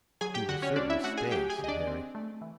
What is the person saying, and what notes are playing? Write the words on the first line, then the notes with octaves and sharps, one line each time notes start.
"He will certainly stay," said Harry.
F#3 G#4 G#5
G4 G5
D3 F#4 F#5
C#4 C#5
C4 D4 D5
E4 E5
A3 F#4 F#5
G#4 G#5
F#3 G4 G5
G#4 G#5
D3
D#5
D4 D5
C4
A3
E3